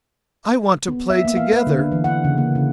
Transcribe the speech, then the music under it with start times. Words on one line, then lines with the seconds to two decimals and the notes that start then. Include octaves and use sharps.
I want to play together.
0.88 B3
1.10 E5
1.25 A#3
1.37 F5
1.52 B4
1.67 D3
1.78 D4
1.92 E3
2.04 F#5
2.24 C#3
2.38 A#3
2.55 C#3